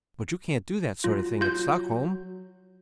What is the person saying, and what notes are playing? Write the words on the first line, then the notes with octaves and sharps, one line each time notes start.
"But you can't do that sort of thing at Stockholm!"
F#3 F4
F4 G6